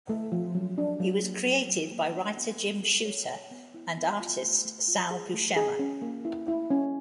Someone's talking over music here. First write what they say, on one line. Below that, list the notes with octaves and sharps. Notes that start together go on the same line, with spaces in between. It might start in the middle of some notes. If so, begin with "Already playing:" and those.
He was created by writer Jim Shooter and artist Sal Buscema.
A3
F3
F#3
D4
F#3
A#3
F#3
F#3
A#3
D4
B3
A4
A4
C#5
C#5
B3
E4
B3
F4
A3
A3
F4
G#4
A3
G#4
C#4
A#3
E4
E4
C#4